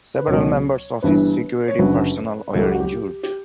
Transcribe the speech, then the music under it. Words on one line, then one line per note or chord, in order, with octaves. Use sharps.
Several members of his security personnel were injured.
B4
C#2 B2 F#3 C#5
G1 G2 E3 B4
C#5
F#1 F#2 D3 F#3 B4
C#2 C#3 F#3 A4
G4
F#4
G4
G4